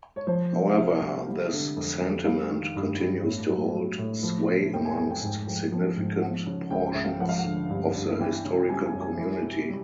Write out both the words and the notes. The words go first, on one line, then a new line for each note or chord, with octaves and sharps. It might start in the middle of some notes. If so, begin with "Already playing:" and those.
However, this sentiment continues to hold sway amongst significant portions of the historical community.
C#5
F3 C5
C3
F5
C2 E5
C2
G3
D3
F2
F2
G3 F5
D#3
G2
G2
A2
F#3
F#3
A2
F3
C3
F2 G5
G#5
F2 G#5
G5
G#2
F3
F3
G#2
F3 F#5
C#3
C#2 G5
C#2 E5
F5
F3 F#5
F5
F#5
D3
G2
G2
E3 G5
C#3
G3 G#5
G#5
F#2
G#5
E3
C3
G3